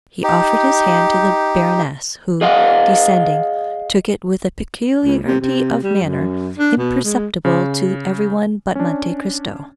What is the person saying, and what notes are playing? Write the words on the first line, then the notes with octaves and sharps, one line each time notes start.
He offered his hand to the baroness, who, descending, took it with a peculiarity of manner imperceptible to every one but Monte Cristo.
D#4 G4
G#4 D#5 F5 F#5
C#2
C3
C3
G3
F#2
D4
B2
G#3
C#3
C#4 D4